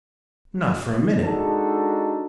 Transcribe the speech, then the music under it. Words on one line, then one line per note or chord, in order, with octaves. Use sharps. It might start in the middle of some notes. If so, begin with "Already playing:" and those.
Not for a minute.
G#3 D4 D#4 F#4 A4